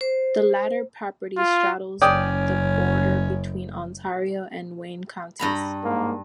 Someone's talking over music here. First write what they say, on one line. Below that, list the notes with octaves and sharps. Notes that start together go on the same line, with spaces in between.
The latter property straddles the border between Ontario and Wayne counties.
C5
F4
F#1 C#4 D5 G5 D#6
G2 A#5 B5
G#2 A#3